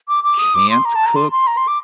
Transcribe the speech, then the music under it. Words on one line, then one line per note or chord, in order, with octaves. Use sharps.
can't cook
D6
D6
D#6
D6
C6
A#5
A5
A#5
C6
C6
A#5
C6
D6